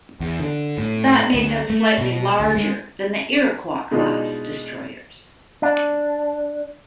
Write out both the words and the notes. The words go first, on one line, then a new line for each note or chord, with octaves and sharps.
That made them slightly larger than the "Iroquois"-class destroyers.
E2
D3
A2
D2
A3
B2
D2
G#3
B2 G#3 D4 D#4 F4
D4